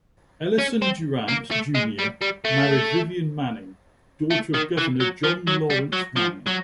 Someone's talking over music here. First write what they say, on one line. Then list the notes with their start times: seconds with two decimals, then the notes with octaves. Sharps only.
Ellison DuRant, Junior married Vivian Manning, daughter of Governor John Lawrence Manning.
0.59 C#4
0.82 C4
1.28 A#3
1.51 A3
1.75 G#3
1.99 G3
2.21 G3
2.45 A3
4.30 A3
4.54 D#3
4.78 E3
5.00 F#3
5.24 F3
5.47 F#3
5.70 G3
5.93 F#3
6.17 F3
6.47 F#3